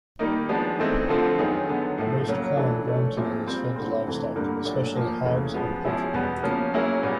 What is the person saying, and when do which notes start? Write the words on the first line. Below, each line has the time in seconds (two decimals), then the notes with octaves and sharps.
Most corn grown today is fed to livestock, especially hogs and poultry.
0.19 D#3 G3 A#3 D#4
0.49 F3 G#3 B3 D4
0.79 E3 A3 C4 D#4
1.08 D3 F3 A3 C4 F4
1.39 D#3 F#3 B3 D#4 G#4
1.68 D3 F#3 B3
1.98 A2 F3 A3
2.28 C#3 F#3 A#3
2.57 E3 A3 D4
2.86 F3 A3 C#4
3.17 A#2 F3 G#3 C4 E4
3.46 A#2 G3 C4 F4 G#4
3.76 D3 G3 C4
4.06 F2 C3 E3 A3
4.36 G2 D3 G3 A#3
4.65 A#2 F#3 A3 D4
4.95 A#2 F3 A#3
5.25 E2 C#3 E3 A3
5.54 F3 G#3 B3
5.84 F3 G#3 C#4 E4 G#4
6.14 E2 B2 G3 B3
6.43 C#3 F3 A#3 C#4
6.73 F#3 A#3 C#4 E4 G#4
7.03 A#2 G3 B3